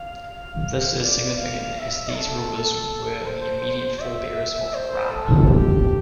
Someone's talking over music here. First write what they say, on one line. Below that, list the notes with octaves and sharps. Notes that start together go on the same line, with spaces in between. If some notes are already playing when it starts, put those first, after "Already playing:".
This is significant as these rulers were the immediate forebears of Rama.
Already playing: F5
D5
F5
E5
A4
C5
E5
C5
A4
G4